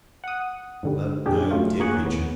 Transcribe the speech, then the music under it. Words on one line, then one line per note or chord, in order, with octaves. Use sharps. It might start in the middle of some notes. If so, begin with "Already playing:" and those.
But no, dear creature!
F#5 D#6
G#2 D3 G3
A#2 D4 G4 G#4
C#3 F#3 A3 F4
A#3 G#4 C#5 F#5
D#2 A2 B3